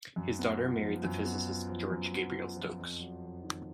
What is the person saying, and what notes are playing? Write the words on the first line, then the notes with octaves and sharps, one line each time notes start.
His daughter married the physicist George Gabriel Stokes.
F#2
B3
F4
F3
F#2
B3
F4
F3
F#2
B3
F4
F3
F2
F#3
F2
D#3